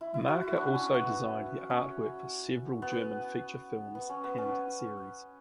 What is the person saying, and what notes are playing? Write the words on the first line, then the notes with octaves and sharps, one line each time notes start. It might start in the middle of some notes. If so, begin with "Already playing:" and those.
Marka also designed the artwork for several German feature films and series.
E4
E4
F#4
E4
D4
C#4
B3
C#4
B3
B3
C#4
B3
C#4